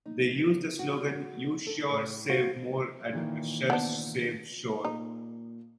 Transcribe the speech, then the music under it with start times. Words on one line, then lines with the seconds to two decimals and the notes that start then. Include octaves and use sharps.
They used the slogan You sure save more at a ShurSave store.
0.06 D#4
0.79 F#4
1.67 A4
1.89 A2
2.30 F#4 C5 F5
3.13 A#2 D#3 E3
3.70 B3 D4
4.85 A#2 D#4